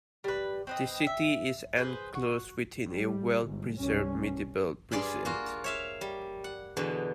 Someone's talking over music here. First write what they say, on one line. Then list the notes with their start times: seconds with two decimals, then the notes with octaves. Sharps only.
The city is enclosed within a well-preserved medieval precinct.
0.24 G3 B4
0.67 C4 B4 D#5
1.07 E5
1.76 G#4 B4 C5
2.15 F#4
2.89 G3
3.41 G1 G#2
3.77 C2 G2 C3 C#4
4.91 G2 F4 G#4 D5 G#5 B5
5.25 A#3 F4 F#4
5.64 C#5 E5 F5
6.01 G3
6.44 F#5
6.77 E2 B2 D3